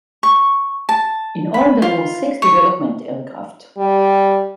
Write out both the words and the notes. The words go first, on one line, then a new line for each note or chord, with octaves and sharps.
In all there were six "development" aircraft.
C#6
A5
B5
F4
C#5
G3